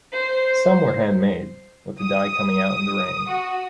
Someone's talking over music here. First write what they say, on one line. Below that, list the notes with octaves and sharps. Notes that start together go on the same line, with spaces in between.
Some were handmade, with the dye coming out in the rain.
C5
D#6
F#4